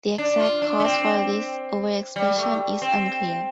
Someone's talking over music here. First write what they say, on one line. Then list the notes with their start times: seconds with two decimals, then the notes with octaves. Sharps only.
The exact cause for this overexpression is unclear.
0.18 D4
0.40 F4
0.62 D4
0.80 A3
0.84 C4
2.16 G3
2.38 A3
2.82 C4